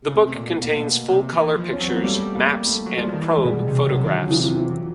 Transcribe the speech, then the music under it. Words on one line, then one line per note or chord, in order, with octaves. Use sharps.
The book contains full-colour pictures, maps and probe photographs.
C#3
C3 A3
A#2
B2
A#3
B2
C3
E3
F3
C#4
F#3 C4
B3
A#3
G3 A3
A#3
A3
F#3
F3 G3
D#3
E3
G#3
B2 G3
C3
C#3
C3 F#3
D#3
D3
F3
C#3 E3
C3 F3
E3